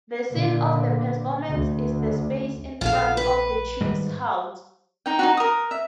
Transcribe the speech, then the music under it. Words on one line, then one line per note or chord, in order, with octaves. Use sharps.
The scene of the performance is the space in front of the chief's house.
A#2 D3
D2
A#1 F4 A4 F5
B4
G#2 D#3 G3
D#4 G5
D#4 F4 F#4
A#4 D#6
E5